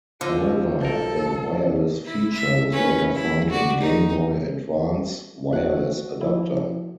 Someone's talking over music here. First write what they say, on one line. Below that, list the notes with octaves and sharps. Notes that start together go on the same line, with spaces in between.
However, the wireless feature was later found in Game Boy Advance Wireless Adapter.
D3 F3 D#5
B1 A4 A#4
E4
E5
C#4 B4
E4
F#4 D5
D#4
E3 A#3 F#4 F#6
F3 E4